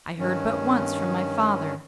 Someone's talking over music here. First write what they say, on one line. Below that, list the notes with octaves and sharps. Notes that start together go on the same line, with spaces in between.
I heard but once from my father.
G2 D#3 C#4